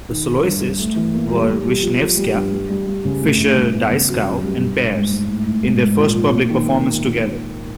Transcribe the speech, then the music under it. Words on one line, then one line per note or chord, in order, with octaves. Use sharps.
The soloists were Vishnevskaya, Fischer-Dieskau and Pears, in their first public performance together.
D#3
D#3
G2
G2
A3
E3
A#3
G3
G3
G3
F3
F3
G3
G2
G3
G3
G3
C#3
A2
A2
G2
B3
C#3
F#3
F#2
G3
G2
G2
G#2
G#2
A2
A2
G#2
G#2
A#2
F3
A#3
D#3